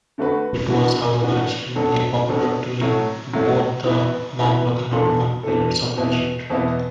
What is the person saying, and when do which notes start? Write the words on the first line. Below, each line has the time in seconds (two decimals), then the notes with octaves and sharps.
It was, however, extremely popular during both the Mamluk and Ottoman periods of Egypt.
0.18 D3 A3 F#4 B4
0.70 E3 D4 F#4
1.22 E3 D4 F#4
1.75 B2 F#3 D4 A4
2.28 B2 F#3 D4 A4
2.81 A2 F#3 A3
3.33 A2 F#3 A3
3.85 E3 B3 E4 B4
4.39 E3 B3 E4 B4
4.91 E2 E3 D4 A4
5.43 E2 E3 D4 A4
5.97 E2 B2 B3 E4
6.50 E2 B2 B3 E4